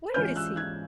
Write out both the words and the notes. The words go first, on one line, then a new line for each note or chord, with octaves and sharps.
Where is he?
E3 G#3 C#4 F4 F6 G6
E6 F#6
F#6 G#6